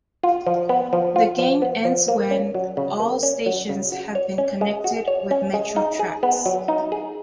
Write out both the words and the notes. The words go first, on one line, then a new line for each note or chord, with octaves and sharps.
The game ends when all stations have been connected with metro tracks.
F4
F3
B3
F3
F4
F3
B3
F3
A#3
C#4
F#3
C#3
A#3
C#4
F#3
C#3
F#4
C#5
C#4
G#3
F#4
C#5
C#4
G#3
D#4
G#4
B3
F#3
D#4
G#4